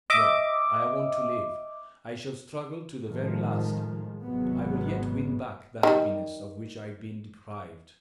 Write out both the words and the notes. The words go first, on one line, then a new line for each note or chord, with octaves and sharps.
No, I want to live; I shall struggle to the very last; I will yet win back the happiness of which I have been deprived.
D#5 E5 D6
A2 D#3 F3 G#3
G#1 E2 C3 F#3 G#3 B3
D#3 G3